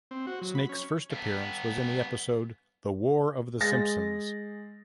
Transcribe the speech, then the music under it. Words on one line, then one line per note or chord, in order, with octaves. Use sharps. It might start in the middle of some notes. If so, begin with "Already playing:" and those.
Snake's first appearance was in the episode "The War of the Simpsons".
C4
F#4
F#3
B5
C#4
G2 B3
G#3 A6 A#6